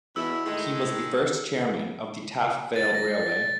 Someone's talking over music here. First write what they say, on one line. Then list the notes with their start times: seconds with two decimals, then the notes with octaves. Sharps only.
He was the first chairman of the Taff Vale Railway.
0.16 E2 B2 E4 E6
0.46 A2 D#3 G#3
2.76 A6
2.94 A#6